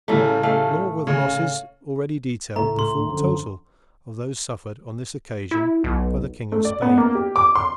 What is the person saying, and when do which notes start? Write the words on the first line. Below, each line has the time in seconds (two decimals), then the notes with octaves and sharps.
Nor were the losses already detailed the full total of those suffered on this occasion by the King of Spain.
0.08 A2 C#3 G3 A3 A#5
0.43 A3 F5
1.07 C#3 C#5
2.56 C#2 A2 A3 A#5
2.79 C6
3.08 F#2 D3 F3
5.51 E4
5.84 B1
6.52 A3
6.65 D5
6.82 B3
6.98 A#3
7.15 G4
7.36 D6
7.55 C6